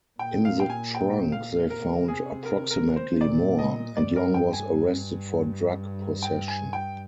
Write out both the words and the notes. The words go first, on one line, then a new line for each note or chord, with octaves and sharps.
In the trunk they found approximately more, and Long was arrested for drug possession.
A#2 G5
F5
G5
G#5
G5
F5
C3 A#4
G#4
A#4
A#4
C5
A#2 D5
D#5
G2 D5
A#4
G5
G#5
G5
G#5
G5